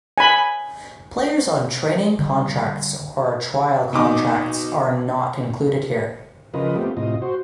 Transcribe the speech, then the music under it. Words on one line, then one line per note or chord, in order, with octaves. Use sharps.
Players on training contracts or trial contracts are not included here.
G#5 B5
D3 G3
B2 D#4 D6
C#3 F3 F4 A#4 B4 D#5
A3 B3 C4 F4 G4
A2 C3 F4 D#5
F#4 C5